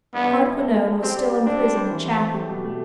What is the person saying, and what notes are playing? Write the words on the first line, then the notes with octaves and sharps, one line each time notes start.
Hardquanonne was still in prison at Chatham.
G2 B3
G2
E4
A4
G3
A4
C4 G4
D5
G4
C4 D4
G3
C5
E3
C4
A3
G4
B2
A3